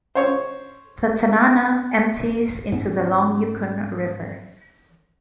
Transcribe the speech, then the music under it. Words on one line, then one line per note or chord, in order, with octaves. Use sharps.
The Tanana empties into the long Yukon River.
C5 C#5 C#6
G#2 B3 C#4